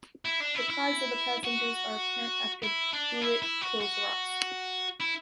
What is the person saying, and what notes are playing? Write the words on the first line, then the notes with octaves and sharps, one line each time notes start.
The cries of the passengers are apparent after Bullitt kills Ross.
E4
D4
E4
E4
F#4
E4
D4
E4
E4
F#4
F#4
E4